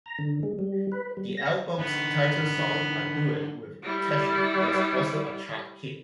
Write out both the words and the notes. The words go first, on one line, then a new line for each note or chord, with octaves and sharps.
The album's title song, a duet with Kashif, was also a chart hit.
A#5
D3
G#3
G3
B4
G3
A#6
D3 B3 D#4
G3 E4